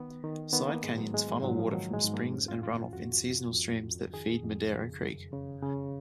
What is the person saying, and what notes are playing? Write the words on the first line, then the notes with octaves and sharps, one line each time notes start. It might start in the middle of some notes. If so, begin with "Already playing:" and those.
Side-canyons funnel water from springs and runoff in seasonal streams that feed Madera Creek.
Already playing: D#3 B3
D#3
D#3 B3
A#3
G#2 G#3
F#3
G#2 G#3
F3
G#2 F#3
F3
D#3 F#3
G#3
G#2
A#3
F2 C#4
F4
D#3 F4
F2 F#4
F2
F2
F2
D#3 G#4
F2
C#3
F#2
C#3
C#3